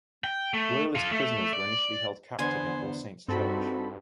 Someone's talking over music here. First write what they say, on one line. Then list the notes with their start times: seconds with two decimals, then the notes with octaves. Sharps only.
Royalist prisoners were initially held captive in All Saints Church.
0.24 G5
0.54 A3
0.95 F4 A4
1.11 A3
1.53 D5
2.39 E2 D3 B3 C5 G#5 C6 G#6
3.28 G2 C4 D#4 F#4 A4 B5